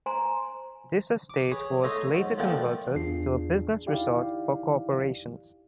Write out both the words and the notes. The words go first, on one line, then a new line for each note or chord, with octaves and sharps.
This estate was later converted to a business resort for corporations.
C5 G#5 A#5 C6
D6
G#4 B4 C#5
A3 D#4 C#5 D#5 E5 C6
G#2 F#3
A#2 F3 A3 B3 D4 G5
E2 D4 F4 G#4 C7
D#4 E4 G4 D5 F5